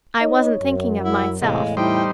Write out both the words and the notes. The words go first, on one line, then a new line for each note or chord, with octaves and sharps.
I wasn't thinking of myself.
D#4 C#5 D#5
F#2
E4 F#5
E2 A2 C3 G#3 F5
G3 D#4 E4 C5 G5